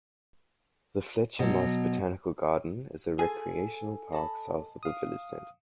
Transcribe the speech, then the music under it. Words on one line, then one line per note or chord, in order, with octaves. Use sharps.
The Fletcher Moss Botanical Garden is a recreational park south of the village centre.
B2 F#3
F4 G#4 A4 G#5
D#5 A5 B5
F5 D#6